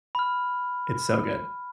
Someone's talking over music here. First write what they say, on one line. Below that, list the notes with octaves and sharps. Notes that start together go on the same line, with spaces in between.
It's so good.
B5 F6